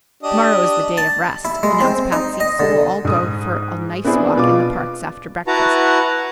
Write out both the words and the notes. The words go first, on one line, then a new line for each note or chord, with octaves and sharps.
"Tomorrow is the day of rest," announced Patsy, "so we'll all go for a nice walk in the parks after breakfast."
D4 G4 D#5
A5
E4
G#3
C4
D#4
D#5
D3
G#2 D#6
B3 C4 D4 E4 G#4 C5
B2 F4 D6
E4 F#4 B4 F#5 A5 A#5